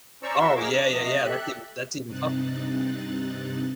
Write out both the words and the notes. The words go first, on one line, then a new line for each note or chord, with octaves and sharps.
Oh, yeah, yeah, yeah, that's even that's even tougher.
C#4 C5 D5 A#5 C#6 E6
F#4 A#4 E5 C6 C#6 E6
F3 A#3 D#4 G#4 A#4 D6
D4
C3 F3 A3 D#5
G4 A4 E5 F#6
G2 C3 C4 D#4 F#6 A6